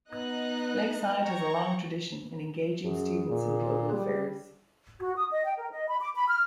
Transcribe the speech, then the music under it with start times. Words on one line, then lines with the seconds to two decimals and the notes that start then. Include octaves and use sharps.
Lakeside has a long tradition in engaging students in global affairs.
0.11 B3 D#4 D#5 F#6
1.19 C#5 G5 A#5 C#6
2.84 F#2 G#4
3.29 A#2
3.93 G3
5.01 F#4
5.16 D#6
5.31 D#5
5.44 G5
5.58 A#4
5.72 D#5
5.88 B5
6.01 D6
6.15 B5
6.28 F6